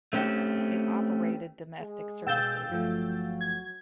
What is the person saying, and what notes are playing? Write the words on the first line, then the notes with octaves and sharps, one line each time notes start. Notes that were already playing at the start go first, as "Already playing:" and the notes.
It operated domestic services.
A3 C4 C#4 G4
G#3
B2 B3 F5 G5 E6 G6 A6
G1 F3 F#3 A3
G#6